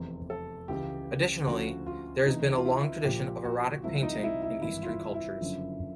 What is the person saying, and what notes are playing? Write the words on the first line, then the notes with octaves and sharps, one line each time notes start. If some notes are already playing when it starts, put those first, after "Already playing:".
Additionally, there has been a long tradition of erotic painting in Eastern cultures.
Already playing: F1 E2 C3
A4
C#2 C#3 E3 G4
D2 C#3 F3 F#4
F4
C#2 C3 E3 D#4
F4
E4
A#1 A#2 F3 G4
F#4
C2 C3 F3 E4
D#4
E4
E4
G#1 G2 E3 E4
F4
E4
E4
F#1 F#2 D3 F3